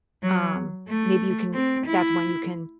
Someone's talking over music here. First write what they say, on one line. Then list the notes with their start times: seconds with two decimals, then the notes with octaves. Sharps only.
Um, maybe you can that's when you can
0.23 F#3
0.88 A3
1.54 C4
1.87 E4